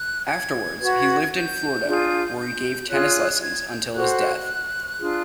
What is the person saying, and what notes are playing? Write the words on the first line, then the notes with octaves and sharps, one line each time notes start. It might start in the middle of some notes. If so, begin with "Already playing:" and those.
Afterwards, he lived in Florida, where he gave tennis lessons until his death.
Already playing: F#6
G#6
F#4 B4
G6
D4 F4 G#4
G6
F4 G#4 C#5 F#6
G#6
G6
F#4 A4 C5 F#6
D4 F4 G#4